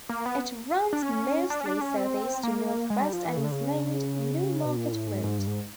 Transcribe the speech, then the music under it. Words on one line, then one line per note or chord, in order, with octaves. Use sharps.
It runs mostly southeast to northwest, and is named New Market Road.
A#3
B3
D4
C#4
D4
C#4
D4
C#4
C4
A#3
G#3
G3
F3
E3
C#3
D3
C#3
B2
A#2
A2
G#2
G#2
G2
G#2